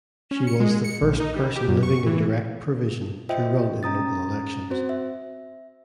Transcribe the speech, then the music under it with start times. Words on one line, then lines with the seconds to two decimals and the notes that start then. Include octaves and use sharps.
She was the first person living in Direct Provision to run in local elections.
0.31 C#4
0.47 C#7
0.60 G#3
0.84 C#7
1.02 A#1
1.20 D#4
1.36 G3
1.56 G4
1.68 F#2
1.83 C#6
2.06 E3
3.29 F4 C5 D#5 E5 G5
3.83 C#4 A#5 D#6 A6
4.70 C4 F#4 C5
4.89 E5